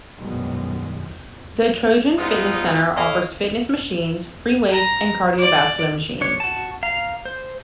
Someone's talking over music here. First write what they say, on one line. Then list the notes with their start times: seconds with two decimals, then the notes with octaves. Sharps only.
The Trojan Fitness Center offers fitness machines, free weights, and cardiovascular machines.
0.19 A#1 F#2 B2 D#3 G3 G#3
2.18 F3 G3 G#3 B3 D#4 F4
2.96 E4 A4 C#5 D#5 F5
4.71 A#5
5.38 D5
6.21 D4 C#5
6.40 F#4 A5
6.83 F5 A#5
7.25 C5